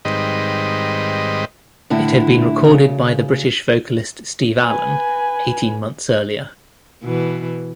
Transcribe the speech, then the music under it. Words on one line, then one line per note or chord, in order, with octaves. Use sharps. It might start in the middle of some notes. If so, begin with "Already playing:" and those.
It had been recorded by the British vocalist, Steve Allan, eighteen months earlier.
G#2 D#3 G3 C4 B4 D#5
A2 D3 E4
D2 C#3
B4 G#5
B2 E3